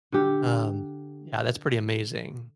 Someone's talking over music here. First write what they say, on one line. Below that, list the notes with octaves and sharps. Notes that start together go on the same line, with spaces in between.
Um, yeah, that's pretty amazing.
D3 G4